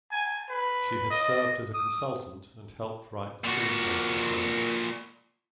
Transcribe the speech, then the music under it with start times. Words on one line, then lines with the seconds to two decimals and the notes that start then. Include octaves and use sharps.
She had served as a consultant and helped write the screenplay for the film.
0.11 G#5
0.49 B4
1.10 D#5
1.73 D#6
3.44 A#2 F#4